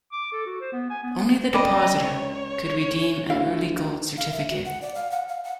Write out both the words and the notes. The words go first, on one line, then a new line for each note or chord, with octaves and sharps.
Only the depositor could redeem an early gold certificate.
D6
A4
F#4
C5
B3
G#5
B3
B3
C#2 D5 D#5 G5 B5 D6
C#5
D2 E4 F5
F5
E5
F#4
F#5
D5
F5
F#5
F5
F#5